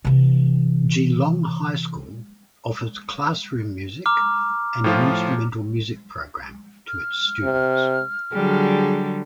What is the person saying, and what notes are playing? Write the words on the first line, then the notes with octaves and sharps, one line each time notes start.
Geelong High School offers Classroom Music and an Instrumental Music program to its students.
C3 E3
A#5 D6 F6
A2 F3 F4
F6
C3
D3 F#3 G3 G#4